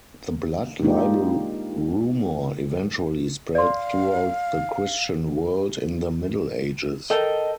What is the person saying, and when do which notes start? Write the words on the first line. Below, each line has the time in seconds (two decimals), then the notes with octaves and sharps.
The blood libel rumor eventually spread throughout the Christian world in the Middle Ages.
0.82 G#3 A#3 D4 D#4 F4 G4
3.55 D5 F5 C6
7.10 A4 A#4 D#5 G5